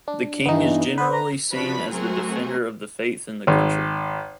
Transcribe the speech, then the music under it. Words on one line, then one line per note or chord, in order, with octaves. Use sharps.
The king is generally seen as the defender of the faith in the country.
D4
G2 E3 B3 D#4
B3 B4 C5
A#5
C#3 F3 D4 F#4 B4 B5
F#3 A3 C4 F#4 G#4 A#4
G#1